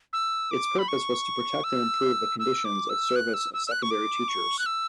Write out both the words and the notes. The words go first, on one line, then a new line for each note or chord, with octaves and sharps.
Its purpose was to protect and improve the conditions of service of secondary teachers.
E6
D6
B5
C#6
E6
E6
D6
E6
F#6
E6
E6
E6
F#6
C#6
D6
C#6
F#6
E6